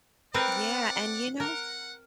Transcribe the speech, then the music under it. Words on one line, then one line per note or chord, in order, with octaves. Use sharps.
Yeah, and you know
C4 A#4 B4 D5 F#5
A#4 F#5